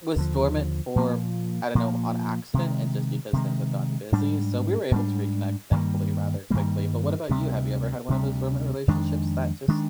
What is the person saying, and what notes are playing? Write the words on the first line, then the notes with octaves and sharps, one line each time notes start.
was dormant for, I don't know, on accident and just because things have gotten busy. So, we were able to reconnect, thankfully, rather quickly. But what about you? Have you ever had one of those dormant relationships that just
D#2 D3 F3
A#2 F3 A#3
A#2 F3 A#3
C3 D#3 G#3
C3 D#3 G#3
G#2 G3 D4
G#2 G3 D4
G2 D#3 G3 A#3
G2 D#3 G3 A#3
D2 C3 G3
D2 C3 G3
F2 D#3 G#3 D4
D#3 G#3 D4